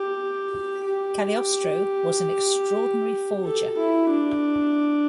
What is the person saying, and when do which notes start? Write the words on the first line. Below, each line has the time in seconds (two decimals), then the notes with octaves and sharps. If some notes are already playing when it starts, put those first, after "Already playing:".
Cagliostro was an extraordinary forger.
Already playing: G4
0.85 G4
3.45 A4
3.77 E4
4.10 D4